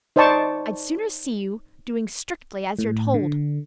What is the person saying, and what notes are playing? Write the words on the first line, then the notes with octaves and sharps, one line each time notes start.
I'd sooner see you doing strictly as you're told.
D#4 C5 D5 D#5 A5 C#6
A2
D3